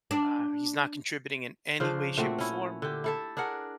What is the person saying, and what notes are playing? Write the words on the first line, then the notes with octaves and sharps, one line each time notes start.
Uh, he's not contributing in any way, shape, or form.
D4
C#3 F3 D4 C5
A#2 A3 C4 F#4
C#4 E4
D3 G4
E4 A4 E5
D4 G#4 A#4 F#5